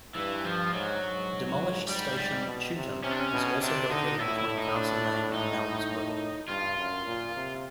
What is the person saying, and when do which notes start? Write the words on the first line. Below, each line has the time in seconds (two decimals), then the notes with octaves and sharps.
Demolished station Chewton was also located between Castlemaine and Malmsbury.
0.16 G2 E3
0.45 F3
0.73 G#2 F#3
1.02 G#2
1.89 G3
2.17 G3
2.46 B2
2.75 C3
3.04 C3 C#4
3.11 D4
3.19 C#4
3.32 B2
3.61 C3 D4
3.90 D3 D#4
4.19 A2 E4
4.38 E4
4.57 D#4
4.76 D4
5.34 D#4
6.49 G2 F4
6.78 F#2
7.06 A#2
7.36 C3